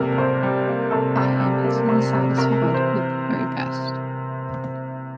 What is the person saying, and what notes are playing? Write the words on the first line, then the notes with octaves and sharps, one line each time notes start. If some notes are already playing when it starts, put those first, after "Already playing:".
I am easily satisfied with the very best.
Already playing: C3 G3 A#3 A4 A#4
C3 C5
G3
A#3
C3 A4
C3
G3
A#3
C3
C3
C3 A#4
E3
C5